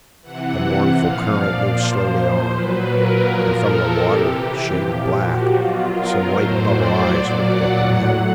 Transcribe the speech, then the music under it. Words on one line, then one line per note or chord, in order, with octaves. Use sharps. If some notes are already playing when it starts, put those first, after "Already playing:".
The mournful current moved slowly on, and from the water, shaded black, some white bubble eyes looked at the men.
C3 E3 F#5
A#2 F3 F5
D5
A#2 F3 C5
A#2 F#3 B4
A#4
A#2 F3 A#4
A4
C3 E3 G4
A#2 F3
F#4
B2 F#3 F4
A#4
A2 F#3 C5
D5
A#2 F#3
F#5
A2 F#3 F#5